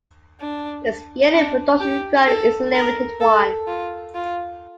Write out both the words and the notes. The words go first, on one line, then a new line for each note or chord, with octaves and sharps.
Its yearly production run is a limited one.
D4
D4
G4
A4
A#4
A4
F4
F4